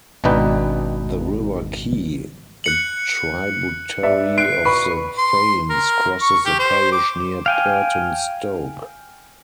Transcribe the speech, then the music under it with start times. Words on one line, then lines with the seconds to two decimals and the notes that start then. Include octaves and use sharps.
The River Key, a tributary of the Thames, crosses the parish near Purton Stoke.
0.24 G#1 B2 D4 D#4 B4 G5
2.64 F#6 C#7 F#7
4.03 B4 D5 E5
4.38 F#6 C7 D7
4.65 B4 B5 C#6
5.18 C6
5.70 A#4
6.21 C#6
6.45 G4
6.59 C5
6.92 D6
7.46 F5 G5 G#5